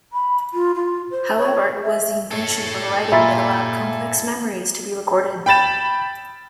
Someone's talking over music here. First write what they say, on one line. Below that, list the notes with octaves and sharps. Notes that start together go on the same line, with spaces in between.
However it was the invention of writing that allowed complex memories to be recorded.
B5
F4
F4
C5
C#5
E5
A4 C#5
A#2 E4 F4 E5 B5 A6
G5 B5 A6 E7